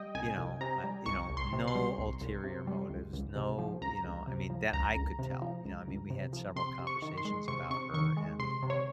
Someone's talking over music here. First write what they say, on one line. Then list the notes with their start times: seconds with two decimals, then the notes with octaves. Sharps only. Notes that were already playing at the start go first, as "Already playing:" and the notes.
you know, I you know no ulterior motives. No, you know, I mean, that I could tell, you know? I mean, we had several conversations about her, and
Already playing: G3 D#5 G5
0.15 C2 G#5
0.38 C2
0.61 C3 A#5
0.84 G3
1.06 C2 C#6
1.30 C2
1.37 C6
1.53 C3
1.68 C6
1.75 G3
1.98 C2
2.21 C2
2.44 C3
2.67 G3
2.90 C#2
3.13 C#2
3.36 C3
3.58 F3
3.81 C#2 A#5
4.04 C#2
4.27 C3
4.50 F3
4.73 C#2 A#5
4.96 C#2
5.19 C3
5.42 F3
5.65 C#2
5.88 C#2
6.10 C3
6.33 F3
6.56 C3 C6
6.79 C3
6.87 C#6
7.02 D#3
7.18 C6
7.25 G#3
7.48 C3 C#6
7.70 C3 C#6
7.94 D#3 C#6
8.17 G#3
8.39 C3 C6
8.63 C3
8.70 C#5